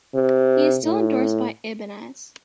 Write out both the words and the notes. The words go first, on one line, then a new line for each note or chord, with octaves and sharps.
He is still endorsed by Ibanez.
C3
A2